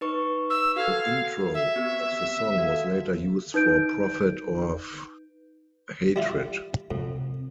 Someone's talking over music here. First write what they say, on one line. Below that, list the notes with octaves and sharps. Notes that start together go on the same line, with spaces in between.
The intro of the song was later used for "Prophet of Hatred".
D#4 B4 C#6
E6
F#4 A4 F5 G#6
E5
B3 C4 G4
F#4 A4 F5
D#4 B4 G6 D7
G3 E4 F4
F2 C3